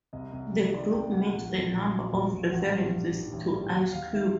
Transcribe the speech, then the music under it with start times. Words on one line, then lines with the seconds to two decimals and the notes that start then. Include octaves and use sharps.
The group makes a number of references to Ice Cube.
0.13 C2 D#5
0.33 C2
0.52 C3
0.67 D#5
0.72 D#3 D5
0.92 C2 G5
1.12 C2 F#5
1.33 A#1 F#5
1.53 A#1
1.72 A#2
1.93 F#3
2.12 A#1
2.32 A#1
2.52 A1 F#5
2.73 G3
2.92 G2
3.13 D#3
3.32 A1
3.53 G3
3.72 D#2 F#5
3.93 D#2 F5
4.12 D#3 E5